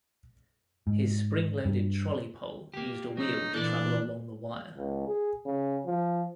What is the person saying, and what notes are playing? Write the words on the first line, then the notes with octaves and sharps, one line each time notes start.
His spring-loaded trolley pole used a wheel to travel along the wire.
G#2
G2
A#3 G4
D3 F#3 D#4
A#2 E3 D4 A4 D5
C#2
G#4
C#3
F3